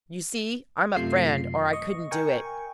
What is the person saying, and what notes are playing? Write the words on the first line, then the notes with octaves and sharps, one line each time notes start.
You see I'm a friend, or I couldn't do it.
F#2 C3 A3 F4 C7
D#5 C#6
A#4 G5 G#5 C#6